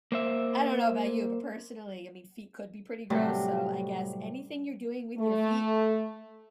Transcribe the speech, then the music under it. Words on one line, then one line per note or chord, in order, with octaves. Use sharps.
I don't know about you, but personally, I mean, feet could be pretty gross, so, I guess, anything you're doing with your feet
A#3 C5 E5
A2 C3 F#3 G3 A3
A3